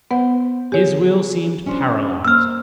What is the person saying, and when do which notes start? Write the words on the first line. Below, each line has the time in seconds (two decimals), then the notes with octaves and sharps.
His will seemed paralysed.
0.11 B3 B4 C5 F#5
0.72 G4 G#4 C#5
1.66 C#4 D4 C5
2.25 A#3 C5 E6 F6